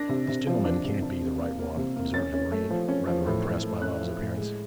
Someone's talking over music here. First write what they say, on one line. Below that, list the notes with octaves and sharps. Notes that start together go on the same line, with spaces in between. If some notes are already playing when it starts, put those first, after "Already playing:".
'This gentleman can't be the right one,' observed a marine, rather impressed by Bob's appearance.
Already playing: D4 A#6
C3
C3
F3
D4
C3
D4
C3
A#3
A#3
C3
A#3
C#4 A6
C#4
A3
F3
C#4
F3
A2
A2
A3
C#4 F#6
F3
A2
G#3